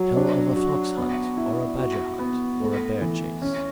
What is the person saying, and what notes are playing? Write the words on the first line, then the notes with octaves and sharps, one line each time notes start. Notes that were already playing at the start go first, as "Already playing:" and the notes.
Tell of a fox hunt, or a badger hunt, or a bear chase.
Already playing: F#3
D4
F#4
B3
E4
F#4
B3
A3
E3
C#4